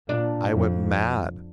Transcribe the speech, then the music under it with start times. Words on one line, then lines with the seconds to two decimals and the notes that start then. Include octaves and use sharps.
I went mad!
0.08 A#2 D4
0.54 F2